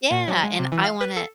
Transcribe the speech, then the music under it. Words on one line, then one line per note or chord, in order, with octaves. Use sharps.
Yeah, and I wanna ,uh
A#2
F#3
G#3
C3
E3
F5
B4
A4